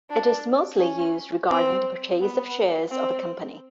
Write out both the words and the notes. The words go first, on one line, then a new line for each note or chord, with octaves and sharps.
It is mostly used regarding the purchase of shares of a company.
D4
C#4
C4
B3
C4